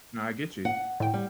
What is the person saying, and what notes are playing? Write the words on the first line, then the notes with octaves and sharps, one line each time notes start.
Nah, I get you.
F#5
A2 G5
G3